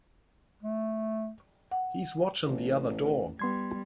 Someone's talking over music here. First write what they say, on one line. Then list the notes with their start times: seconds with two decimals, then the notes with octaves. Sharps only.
He's watching the other door.
0.63 A3
1.72 F#5
2.48 A1
3.39 G3 B3 C6 G#6